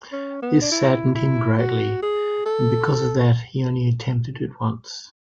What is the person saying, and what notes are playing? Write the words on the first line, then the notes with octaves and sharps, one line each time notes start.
This saddened him greatly, and because of that, he only attempted it once.
C#4
B3
D4
E4
E4
F#4
G#4
A4